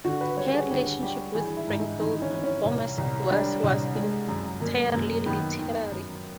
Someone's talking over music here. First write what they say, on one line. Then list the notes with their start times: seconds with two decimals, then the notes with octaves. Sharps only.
Her relationship with Frank Doel, warm as it was, was entirely literary.
0.04 D3 F#4
0.21 B4
0.37 G3 C#5
0.54 G#4
0.70 D2 G4
1.02 G3 G4
1.35 E3 G#4
1.57 E4
1.67 G#2
1.79 D#4
2.00 E3 D#4
2.22 C#4
2.33 E3
2.43 C#4
2.65 C2
2.98 C2
3.31 G3 D4
3.64 C2
3.95 G#3
4.29 F#2
4.60 F#2 A#3
4.94 F#2 A#3
5.26 D#3 B3
5.59 D#3
5.92 F#2